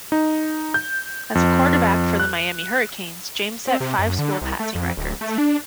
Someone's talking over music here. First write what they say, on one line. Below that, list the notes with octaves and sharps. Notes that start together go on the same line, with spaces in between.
As a quarterback for the Miami Hurricanes, James set five school passing records.
D#4
G6
F2
F#6
C4
C3
F#2
D3
C2
A3
F2
D1
A3
D4